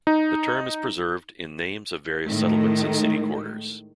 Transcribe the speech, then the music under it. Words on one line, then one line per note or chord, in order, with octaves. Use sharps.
The term is preserved in names of various settlements and city quarters.
D#4
A2 D#3 G#3 A3